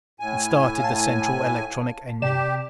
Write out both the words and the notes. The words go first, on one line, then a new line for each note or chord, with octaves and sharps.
And started the central electronic engine.
A2 G#5
F5 A5
C3 G4 D5 E7